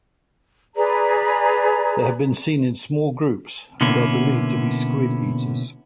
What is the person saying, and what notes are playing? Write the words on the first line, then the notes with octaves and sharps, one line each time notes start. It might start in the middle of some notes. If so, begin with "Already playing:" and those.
They have been seen in small groups, and are believed to be squid eaters.
G#4 B4 D5 A#5
B2 D3 A#3 B3 C#4 E4